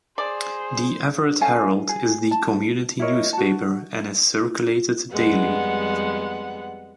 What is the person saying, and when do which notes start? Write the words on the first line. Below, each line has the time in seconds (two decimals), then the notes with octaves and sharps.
The Everett Herald is the community newspaper and is circulated daily.
0.18 G#4 C5 D5
1.41 C#4 A4 F5 G#5
1.89 G#4
2.31 A5
2.99 E4 A#4 C#5 D#5
3.33 F#4 A5
5.11 F2 G3 G#3 B3 F#5